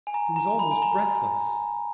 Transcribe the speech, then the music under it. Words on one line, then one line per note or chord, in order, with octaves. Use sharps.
He was almost breathless.
G#5
A#5
A#5
B5
G#5
A#5